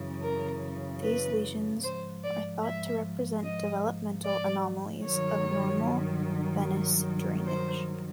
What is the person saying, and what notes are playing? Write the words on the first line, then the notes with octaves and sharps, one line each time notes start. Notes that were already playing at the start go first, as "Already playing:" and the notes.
These lesions are thought to represent developmental anomalies of normal venous drainage.
Already playing: F#2 C#3 E3
A#4
B4
G#2 F3 C5
D5
E5
D#5
D5
G2 D#3 F#3 C#5
C5